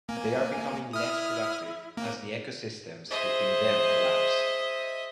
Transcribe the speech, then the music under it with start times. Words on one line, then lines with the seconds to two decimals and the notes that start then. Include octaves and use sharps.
They are becoming less productive as the ecosystems within them collapse.
0.09 A#3 G#5
0.93 E4 D#6 F6
1.97 A#3
3.10 G#4 C5 D#5 E5